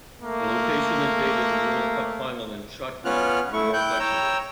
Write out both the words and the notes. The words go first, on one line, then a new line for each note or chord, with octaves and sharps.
The location and date of the World Cup Final in shotgun are more flexible.
A3 A#3
B3 C#4 F4 F6 F#6
A3 E4 C#6
E4 G5 F#6 G6
C#5 G5 A#5 E6